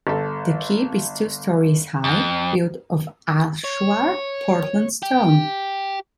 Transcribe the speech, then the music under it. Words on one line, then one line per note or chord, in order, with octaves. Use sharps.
The keep is two storeys high, built of ashlar Portland stone.
G1 A4
F2
C#5
G4